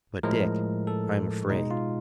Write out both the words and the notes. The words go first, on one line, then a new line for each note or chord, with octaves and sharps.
But, Dick, I'm afraid.
A2 F3 G#3 A#4
A4
B2 G#3 D#4
F4